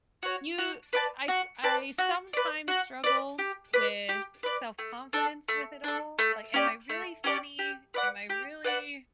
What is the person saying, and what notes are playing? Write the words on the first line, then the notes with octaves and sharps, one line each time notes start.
you I s I sometimes struggle with self-confidence with it all, like, "Am I really funny? Am I really"
F#4 C#5
F#4
B4 D5 A5
F#4
B4 D5 A5
F#4
B4 D5
F#4
B4 D5
G4
B4 D5
G4
B4 D5
A3
D4 A4
A3
D4 A4
A3
C#4 G4 D5
A3
C#4 G4 D5
G4
B4 D5 F#5
G4
B4 D5 F#5